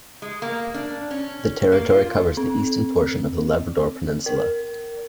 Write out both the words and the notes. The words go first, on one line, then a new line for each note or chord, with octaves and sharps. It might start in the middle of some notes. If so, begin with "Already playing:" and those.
The territory covers the eastern portion of the Labrador peninsula.
G#3
A#3
D4
C#4
A#3
F4
C4
A#4